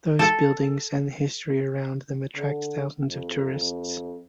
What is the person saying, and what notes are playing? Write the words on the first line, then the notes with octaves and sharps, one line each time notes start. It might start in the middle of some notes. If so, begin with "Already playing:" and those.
Those buildings and the history around them attract thousands of tourists.
A4
D3
F2